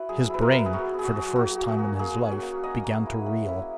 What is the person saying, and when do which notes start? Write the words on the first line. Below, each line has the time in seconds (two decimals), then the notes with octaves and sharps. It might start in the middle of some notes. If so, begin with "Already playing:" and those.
His brain, for the first time in his life, began to reel.
Already playing: E4 F#4 B4
0.09 F#3 G#4
0.30 E4 B4
0.41 A#4
0.51 B3 B4
0.59 A#4
0.66 G#4
0.73 B3 F#4
0.94 B3
0.99 G#4
1.04 F#4
1.15 F#3
1.36 A#3 F#4
1.58 A#3 G#4
1.68 F#4
1.79 A#3
1.99 A#3 G#4
2.21 C#4
2.32 F#4
2.42 A#3
2.63 A#3 D#5
2.84 A#3
3.06 E4
3.26 C#4
3.49 E4